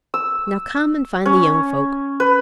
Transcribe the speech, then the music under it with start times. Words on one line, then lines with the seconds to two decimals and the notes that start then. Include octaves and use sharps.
Now, come and find the young folk.
0.14 E6
1.26 C#4
2.20 B4